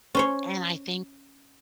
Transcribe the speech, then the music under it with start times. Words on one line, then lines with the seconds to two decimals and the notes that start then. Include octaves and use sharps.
and I think
0.15 C#4 C5 C#5